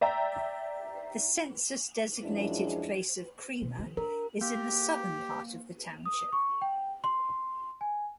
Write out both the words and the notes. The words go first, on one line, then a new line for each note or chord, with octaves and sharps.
The census-designated place of Kreamer is in the southern part of the township.
D5 E5 G5 A#5
F#2 F3 G#3 D4 E4 G#4
B2
D#3 F3
D4 A#4
A#3 G4
D#6
C#6
G5
C6
G#5